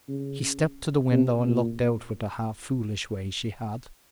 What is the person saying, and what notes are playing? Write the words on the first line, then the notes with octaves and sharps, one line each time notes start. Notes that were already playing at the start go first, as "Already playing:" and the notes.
She stepped to the window and looked out with the half-foolish way she had.
C#3
C3
A#2